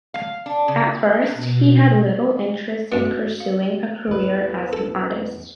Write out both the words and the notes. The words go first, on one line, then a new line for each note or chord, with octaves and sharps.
At first, he had little interest in pursuing a career as an artist.
F5
D4
C#3
B2
G2 A3 B3 C#4 F#4
F5
E2 A2 B4
A4